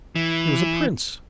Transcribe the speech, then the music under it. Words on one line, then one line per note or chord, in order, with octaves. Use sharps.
"He was a prince!"
E3